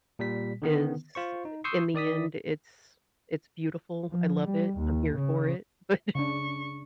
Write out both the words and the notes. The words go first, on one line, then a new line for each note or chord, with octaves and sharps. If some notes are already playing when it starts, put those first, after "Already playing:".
is in the end, it's it's beautiful, I love it, I'm here for it, but
A#2 G3 B6
D3 D#3 B3
F4 C5 C#6
D#4
C6 C#6 D#6 E6 G6 C7
D#3 D5 D#6 B6
F3
G3
D#2
C#3
C#3 D4 C#6